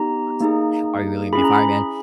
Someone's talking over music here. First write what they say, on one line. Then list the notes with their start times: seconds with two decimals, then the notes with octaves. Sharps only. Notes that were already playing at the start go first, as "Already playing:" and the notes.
honestly, are you really gonna be a fireman?"
Already playing: B3 D#4 G4 A#5
0.40 A#3 D#4 G#4
1.33 C#4 E4 G#4 B5
1.44 A#5
1.55 B5